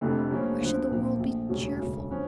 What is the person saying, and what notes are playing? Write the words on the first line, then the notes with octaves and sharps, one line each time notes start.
Why should the world be cheerful?
F1 F2 D3 A3
G2 F3 A#3 C#4
D2 D3 F3
A#1 A#2 F3 A#3
A#1 A#2 F3 A3
E1 D2 C#3 G3 C#4
E1 D2 C#3
D3 F3 C#4